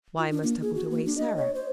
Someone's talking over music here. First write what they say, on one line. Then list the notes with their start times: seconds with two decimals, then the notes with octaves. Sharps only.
"Why must I put away Sarah?"
0.18 F4
0.31 D4
0.43 A#3
0.62 G#4
0.75 F#4
0.91 A#3
1.05 D4
1.18 D#5
1.36 C#5
1.55 C5